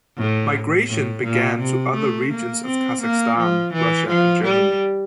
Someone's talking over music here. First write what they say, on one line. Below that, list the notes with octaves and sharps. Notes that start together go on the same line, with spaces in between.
Migration began to other regions of Kazakhstan, Russia and Germany.
A2
A2
A#2
C3
A3
A#3
C4
A#3
F3
E3
F3
G3